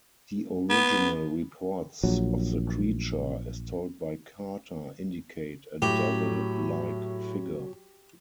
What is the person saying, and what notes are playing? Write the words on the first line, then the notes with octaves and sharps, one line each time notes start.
The original reports of the creature, as told by Carter, indicate a devil-like figure.
B3
A#1 F#3
A2 F#3 G4